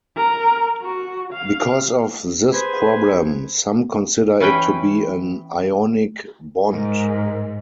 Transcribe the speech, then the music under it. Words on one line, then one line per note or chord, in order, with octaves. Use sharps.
Because of this problem, some consider it to be an ionic bond.
A#4
F#4
F5
G#4 B4 C5 G#5
E3 C#4 B4 G5
G#2 G#3 A#4